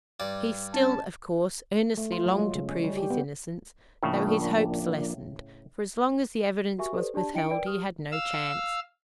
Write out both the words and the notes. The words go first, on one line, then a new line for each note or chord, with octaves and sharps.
He still, of course, earnestly longed to prove his innocence, though his hopes lessened, for as long as the evidence was withheld, he had no chance.
G2 D5
C#4 A5
A3
F4
F#3
G#3
C#3
C#4
G3
G4
B3
A2 C#3 F3 A#3 D4
F#4 G4 A#4 E5 G#5 C#6
G4 A4 B4 C5 D5
D4 G4 D5 A5
D4 E4 D#5 G5 C#7 D7
A#4 B4 D5 G5 D7
G4 D#6 F6
F5 E6